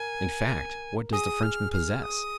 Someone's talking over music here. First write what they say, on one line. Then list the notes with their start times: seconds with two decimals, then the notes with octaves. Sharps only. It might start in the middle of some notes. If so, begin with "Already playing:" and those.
In fact, what does the Frenchman possess?
Already playing: A#4 G#5
1.13 G#4 D#6
1.43 F6
1.73 F6
2.03 D#6